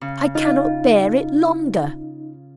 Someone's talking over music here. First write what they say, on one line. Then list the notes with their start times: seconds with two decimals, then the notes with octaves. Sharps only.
I cannot bear it longer!
0.01 C#3
0.35 D#4 F4